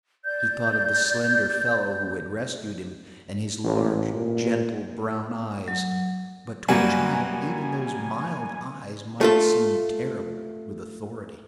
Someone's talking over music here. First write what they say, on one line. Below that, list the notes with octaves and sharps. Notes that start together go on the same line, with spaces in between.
He thought of the slender fellow who had rescued him and his large, gentle brown eyes, but to a child even those mild eyes might seem terrible with authority.
D5 G6
A1
A#2
F#3
F#2 G3 A#3 F#4 B4 G#5
A3 F4 A4